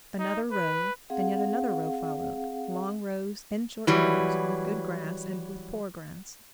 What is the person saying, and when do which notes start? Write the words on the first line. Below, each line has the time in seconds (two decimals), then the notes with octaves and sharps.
Another row, and yet another row, followed--long rows and short rows, with good grass and with poor grass.
0.19 D#4
0.52 B4
1.10 C4 G#4 F5 F#5
3.87 E3 F#3 G3